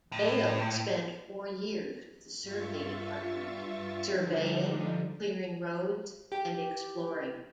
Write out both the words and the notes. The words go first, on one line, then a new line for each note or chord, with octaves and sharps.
Dale spent four years with the Survey Department, surveying, clearing roads and exploring.
A2
G2 F4 E5 C#6 A6
D3 F3 G3 D4 D#4
G4